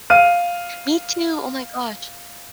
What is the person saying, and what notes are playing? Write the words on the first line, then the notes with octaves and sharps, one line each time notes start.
Me too! Oh my gosh.
F5 F6 D#7